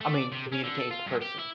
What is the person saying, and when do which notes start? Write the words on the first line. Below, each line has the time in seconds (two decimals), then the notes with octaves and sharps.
I mean, communicate in person
0.01 A3
0.14 D5
0.32 C3
0.52 C#4
0.64 D3
0.78 A4
0.91 F4
1.07 G2
1.22 G4
1.39 E4